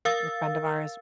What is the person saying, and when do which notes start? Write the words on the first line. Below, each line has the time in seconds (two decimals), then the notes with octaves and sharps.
the friend of ours
0.05 A#4 F5 E6 A6